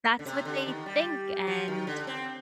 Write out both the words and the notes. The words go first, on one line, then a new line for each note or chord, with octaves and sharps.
That's what they think. And,
D3
C3
D3
D#3
G3
F3
D#3
D3
C4